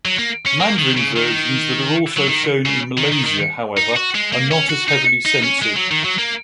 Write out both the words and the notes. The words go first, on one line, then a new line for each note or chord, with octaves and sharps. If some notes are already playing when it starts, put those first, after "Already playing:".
Mandarin versions that are also shown in Malaysia however, are not as heavily censored.
F#3
A#3
C#4
A#3
D#3
C#3
D#3
F#3
D#3
C#3
D#3
D#3
D#3
D#4
F#4
G#3
A#3
C#4
F#4
D#4
D#4
C#4
G#3
F#3
D#3
F#3
A#3